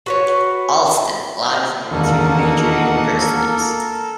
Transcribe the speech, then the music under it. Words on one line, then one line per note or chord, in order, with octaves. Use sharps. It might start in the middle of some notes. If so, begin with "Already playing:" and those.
Allston lies near two major universities.
F#4 B4 C#5
E1 D#2 A#3 D#4 F#4 A4 A#4 F#5